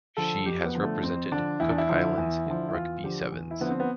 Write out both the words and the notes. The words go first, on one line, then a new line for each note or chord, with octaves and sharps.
She has represented Cook Islands in rugby sevens.
D3 F3 A4
F2 G4
B3
D3 F3
A3
F2 C4
D3 F3 D4
E2 E4
D4
E4
D3 F3
E2
D3 F3
E4
E2 F4
D3 F3 G4
E2
E4
D3 F3 B3
C4
B3